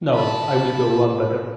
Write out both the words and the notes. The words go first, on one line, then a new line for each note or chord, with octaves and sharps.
No, I’ll go one better.
A5 B5